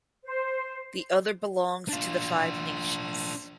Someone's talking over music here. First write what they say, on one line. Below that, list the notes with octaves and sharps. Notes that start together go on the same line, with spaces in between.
The other belongs to the Five Nations.
C5
D4 F4